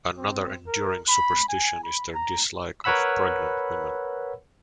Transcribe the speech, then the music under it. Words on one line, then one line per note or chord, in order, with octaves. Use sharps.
Another enduring superstition is their dislike of pregnant women.
C4
A#4
B5
G#5
B5
A#5
A#4 B4 C#5 F#5 B5 E6